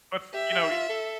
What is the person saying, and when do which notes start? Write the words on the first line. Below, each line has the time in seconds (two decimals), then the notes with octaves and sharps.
but f you know, y
0.34 G4 E5
0.52 G4
0.71 F4
0.89 A4